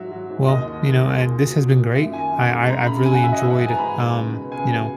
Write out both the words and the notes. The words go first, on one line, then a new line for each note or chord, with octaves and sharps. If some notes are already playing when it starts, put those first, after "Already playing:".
Well, you know, and this has been great. I I I've really enjoyed, um, you know,
Already playing: G#2 F#3 E5
F#3
G#2
D#2 D#5
D#3
D#2
G#3
A#2
F#3
F#3
A#2
F#2 E5
D#3 G#5
F#2
G#3
F#2 A#5
C#3 B5
F#2 G#5
F#5
F#3 E5
D#5
G#2 E5
F#5
E3 G#5
A#5
G#2 B5
G#3
C#2
B2
C#2 G#5
F#3